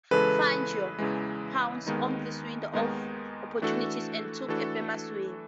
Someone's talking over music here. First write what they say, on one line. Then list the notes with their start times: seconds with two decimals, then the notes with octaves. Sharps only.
Fangio pounced on this window of opportunity and took a famous win.
0.11 E2 C#3 E3 G#3 A4 B4
0.99 E2 C#3 E3 G#3
1.87 D#2 D#3 G#3 B3 D#4
2.73 D#2 D#3 G#3 B3 D#4
3.62 E3 A3 D4 F#4 A4
4.48 E3 A3 D4 F#4 A4